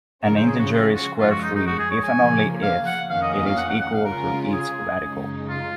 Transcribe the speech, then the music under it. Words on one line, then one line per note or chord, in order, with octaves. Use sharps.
An integer is square-free if and only if it is equal to its radical.
C#3 F3 G#3 C#4 A#4
C5
G#4
F#4
F4
F#4
F#2 F3 G#3 F4
F#4
D#4
D#4
F#4
G#4
C#5
G#5
C#3 F3 A#3
F5
F#5
F2 D#3 A#3 C#4 F5
D#5
D#5
F5
F#5
F#5
F#5
F5
C#3 G#3 C#4 F4 A#4
G#4
F#2 C#3 G#3 D#4
F4